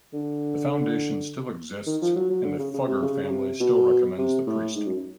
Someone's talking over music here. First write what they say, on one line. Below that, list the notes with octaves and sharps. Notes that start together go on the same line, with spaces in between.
The foundation still exists and the Fugger family still recommends the priest.
D3
D#3
F3
F#3
F#3
D3
C#3
C#3
C3
C#3
C#3
C3
B2
C3
A2
G#2
F#2